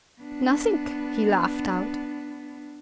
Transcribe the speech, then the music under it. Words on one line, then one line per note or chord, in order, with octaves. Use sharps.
"Nothink!" he laughed out.
B3 D4